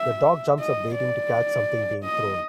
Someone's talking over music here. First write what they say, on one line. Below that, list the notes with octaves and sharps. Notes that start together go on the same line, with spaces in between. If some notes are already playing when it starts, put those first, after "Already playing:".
The dog jumps up waiting to catch something being thrown.
Already playing: E5
D#5
D5
D#5